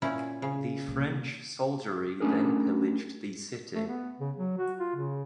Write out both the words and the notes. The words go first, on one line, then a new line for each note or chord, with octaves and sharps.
The French soldiery then pillaged the city.
A#2 C#4 E4
C#3
C2 A#2
A3 C#4 D4 G#4 A#4
A3
B3
C#3
F#3
F#4
F4
C#3